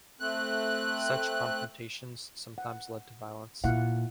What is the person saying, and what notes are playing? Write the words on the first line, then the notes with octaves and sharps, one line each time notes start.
Such confrontations sometimes led to violence.
A3 C4 F#6
F#5
A#2 E4 F5 F#5